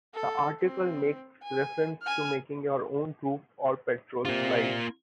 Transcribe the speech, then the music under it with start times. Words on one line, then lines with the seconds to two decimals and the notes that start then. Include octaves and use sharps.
The article makes reference to making your own troop or patrol slide.
0.14 A4
0.60 C4
1.43 G#5
2.02 G#5 F6
4.25 C3 A#3 F4